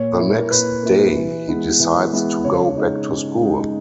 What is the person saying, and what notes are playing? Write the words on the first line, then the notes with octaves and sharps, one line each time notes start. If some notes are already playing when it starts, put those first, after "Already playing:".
The next day he decides to go back to school.
Already playing: A#2 C#5
A#3 E4
A#4
A#2 B4
A#3 E4
E3
G#3 B3 E4
E3
G#3 B3 E4
C#3 C#5
G#3 D#4
C#3
G#3 D#4